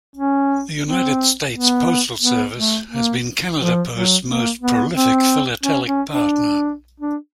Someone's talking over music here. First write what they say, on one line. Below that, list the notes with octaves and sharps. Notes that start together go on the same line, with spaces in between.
The United States Postal Service has been Canada Post's most prolific philatelic partner.
C#4
C4
B3
B3
A3
A#3
F3
F#3
A#3
B3
C4
C#4
C#4
D4
D4